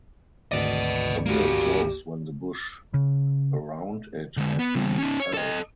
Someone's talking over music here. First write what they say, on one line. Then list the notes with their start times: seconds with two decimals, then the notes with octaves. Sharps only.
The mill closed when the bush around it had been felled.
0.52 G#1 D2 B4 D5 D#5
1.26 A#3 F#4 G4
2.94 C#3
4.37 D3 G#3
4.59 B3
4.75 C#3 G3
4.98 C#4 D#4
5.20 C#5
5.34 A4 D#5